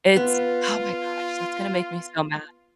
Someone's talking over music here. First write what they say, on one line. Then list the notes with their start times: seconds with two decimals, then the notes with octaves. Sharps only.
It's oh my gosh, that's gonna make me so mad.
0.16 B3 F4